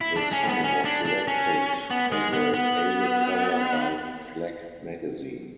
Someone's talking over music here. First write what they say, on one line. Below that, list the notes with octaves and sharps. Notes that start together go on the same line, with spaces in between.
The song was selected as a favourite cover by Flak Magazine.
E4
D4
C#4
B3
C#4
D4
D4
C#4
B3
G#3
B3
B3